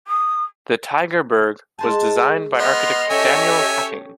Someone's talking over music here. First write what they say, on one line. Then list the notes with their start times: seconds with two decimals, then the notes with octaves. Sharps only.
The Tygerberg was designed by architect Daniel Hattingh.
0.07 D#6
1.79 G#3 C5 G#5 A5
2.59 B3 D#5 A#5 C6 F6
3.10 C#4 G4 A4 C#5 E5 G#5